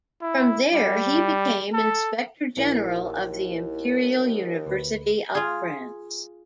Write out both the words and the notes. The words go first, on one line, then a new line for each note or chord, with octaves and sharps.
From there he became inspector general of the Imperial University of France.
E4
G3
A4
A#1 D#2 E4
D2 B4
F4 G#4